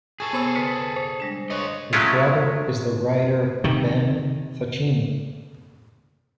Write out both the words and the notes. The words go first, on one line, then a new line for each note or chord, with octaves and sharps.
His brother is the writer Ben Faccini.
G#4 A4 C#6 G#6
C3 B3 C5 C#5 B5 E6
D3 B4 B6 C#7
C5
G3 G#3 D4
B4 C#5 D#5 F#6
F#3 G#3 A3 C#4 E4 F4
C3 D#3